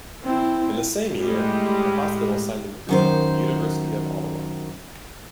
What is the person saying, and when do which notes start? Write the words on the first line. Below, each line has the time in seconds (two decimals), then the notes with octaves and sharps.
In the same year, the hospital signed an agreement with the University of Ottawa.
0.24 C4 E4
1.20 A2 G3 G#3
2.89 F#2 D#3 C5